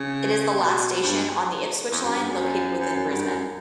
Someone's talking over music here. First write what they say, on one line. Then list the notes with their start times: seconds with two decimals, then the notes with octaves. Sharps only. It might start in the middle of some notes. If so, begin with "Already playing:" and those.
It is the last station on the Ipswich line located within Brisbane.
Already playing: C#3
0.58 B2
1.03 G2
1.91 E2
2.03 F#2
2.14 G2
2.25 F#2
2.80 F#2
2.95 F#2
3.10 G2
3.25 F#2